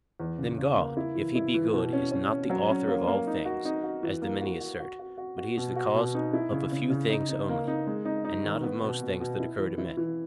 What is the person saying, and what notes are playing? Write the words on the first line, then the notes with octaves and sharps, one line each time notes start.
Then God, if he be good, is not the author of all things, as the many assert, but he is the cause of a few things only, and not of most things that occur to men.
E2
C#3
C#3
A#3
E4
E3
E4
E3
B2
C#4
C#4
C#4
F#3
C#4
A#3
A#3
D#4
F#4
D#4
F#4
E3
A#3
F#4
F#4
F#4
F#4
F#4
F#4
B2
F#4
B2
D#4
E4
C#3
C#3
C#3
D#4
D#4
A#3
D#4
G#3
D#4
D#4
D#3
B3
B2
B2
B2
E4
E3
E4
E3